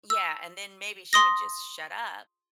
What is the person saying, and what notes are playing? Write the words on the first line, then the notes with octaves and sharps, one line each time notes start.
Yeah, and then maybe she would just shut up
E6
C6 D#6 A#6